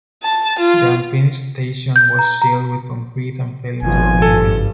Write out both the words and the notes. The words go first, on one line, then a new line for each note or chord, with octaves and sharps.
The unfinished station was sealed with concrete and fell into oblivion.
A5
F4
G6
A#5
A#5
G#1 B2 F3 G#5
G2 A4